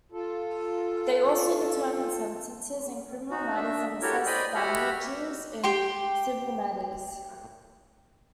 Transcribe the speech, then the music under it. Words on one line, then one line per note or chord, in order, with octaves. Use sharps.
They also determine sentences in criminal matters and assess damages in civil matters.
F4 A4
D#4 F#4
D4 E5
E4 F#4 G4 A4 A#4 C#5
C5 D5 D#5 G5 G#5 B5
F#4 G4 E5 F#5 B5 F6
G4 G5 C6